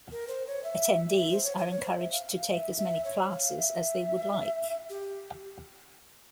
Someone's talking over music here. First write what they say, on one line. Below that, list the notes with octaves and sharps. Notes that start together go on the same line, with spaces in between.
Attendees are encouraged to take as many classes as they would like.
A#4
C5
C#5
E5
E5
C5
C#5
C#5
C5
C#5
C5
E5
F5
F5
E5
E5
C#5
F5
E5
G4